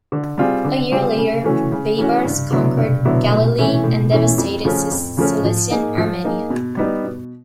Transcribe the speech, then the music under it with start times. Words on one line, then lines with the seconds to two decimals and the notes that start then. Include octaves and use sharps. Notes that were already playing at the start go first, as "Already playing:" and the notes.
A year later, Baibars conquered Galilee and devastated Cilician Armenia.
0.12 D3
0.38 G3 C4 F4 G#4
0.65 D3
0.92 G3 C4 F4 G#4
1.18 C#3
1.44 E3 A3 C#4 F#4
1.72 C#3
1.98 E3 A3 C#4 F#4
2.25 G2
2.51 D3 F#3 B3 E4
2.77 G2
3.05 D3 F#3 B3 E4
3.31 A2
3.58 E3 A3 C#4 E4
3.84 A2
4.11 E3 A3 C#4 E4
4.38 F2
4.65 C#3 F3 A3 C#4
4.91 F2
5.17 C#3 F3 A3 C#4
5.45 F3
5.71 A#3 D#4 G#4
5.98 F3
6.24 A#3 D#4 G#4
6.50 B2
6.77 G3 B3 D#4
7.04 B2